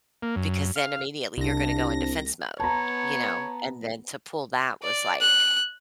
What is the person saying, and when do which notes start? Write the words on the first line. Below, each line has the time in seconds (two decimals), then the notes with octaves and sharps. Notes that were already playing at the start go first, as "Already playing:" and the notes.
Because then immediately, you're gonna go in defense mode, you know? And then to pull that was, like
0.22 A#3
0.36 F#2
0.76 F5
1.37 C2 D4 A#6
2.60 B3 C#5 A5 A#5
4.83 D5
5.21 F#6